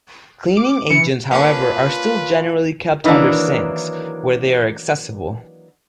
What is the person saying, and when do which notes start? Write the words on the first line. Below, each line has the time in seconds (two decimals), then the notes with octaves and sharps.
Cleaning agents, however, are still generally kept under sinks, where they are accessible.
0.57 D6
0.90 E3 C#7
1.31 A#3 C#4 D4 F4 B4
3.04 D#3 E3 F#3 A#3 D4